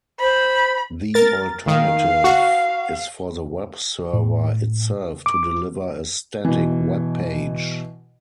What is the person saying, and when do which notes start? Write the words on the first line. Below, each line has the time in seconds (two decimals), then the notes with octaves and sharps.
The alternative is for the web server itself to deliver a static web page.
0.20 C5 B5
1.14 A#4 A6
1.68 D#3 F5
2.24 F#4
4.13 A2
5.26 D6
6.45 B2 E3